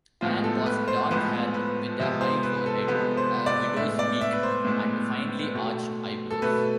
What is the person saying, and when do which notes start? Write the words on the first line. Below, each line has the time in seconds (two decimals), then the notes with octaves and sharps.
Anne was dark-haired with a high forehead, a widow's peak, and finely-arched eyebrows.
0.21 A2 F3 G#3 B3 F4
0.44 A4
0.66 B4
0.88 C5
1.10 A2 F3 G#3 B3 B4
1.54 B4
2.00 C3 F3 G#3 B3 E5
2.21 C5
2.43 B4
2.66 A4
2.87 C3 F3 G#3 B3 B4
3.17 C5
3.46 D5
3.76 A2 G#3 B3 E5
3.99 D5
4.21 E5
4.33 B4
4.43 C5
4.65 A2 G#3 B3
5.54 B2 A3
6.31 A4
6.42 B2 A3 B4